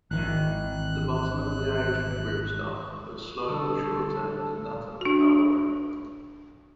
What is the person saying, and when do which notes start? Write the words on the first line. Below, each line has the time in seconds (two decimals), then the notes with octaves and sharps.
The bottom of the Agent gripstock was slightly shorter than that of the Cobra.
0.11 G#1 D#3 E3 F#6
3.48 D3 G3 A4
5.01 D4 F#4